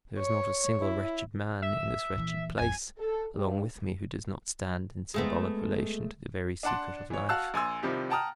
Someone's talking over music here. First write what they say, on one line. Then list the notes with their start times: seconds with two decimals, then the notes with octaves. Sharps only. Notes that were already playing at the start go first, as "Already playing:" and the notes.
There is not a single wretched man in this wretched place along with me who does not stand in symbolic relation to the very secret of life.
0.19 C#5
0.82 E4
1.62 E5
2.15 A#2 E3
2.58 G1 F2 G#5
2.98 A4
3.35 G2
5.14 G#3 A3 B3
6.63 D4 D5 F#5 A5 C6 D6
7.10 E3 C#5
7.29 F#4 F5 A5 E6 F#6
7.54 A#1 G#5 C6 E6
7.83 C3 D#3 F3 G3 E4 G4
8.10 F#5 G5 A5 A#5 D#6 F6